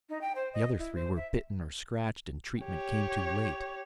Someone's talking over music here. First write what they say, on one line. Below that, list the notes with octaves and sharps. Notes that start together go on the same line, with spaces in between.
The other three were bitten or scratched and treatment came too late.
D#4
G5
C5
D#5
E4
C5
E5
G4 C#5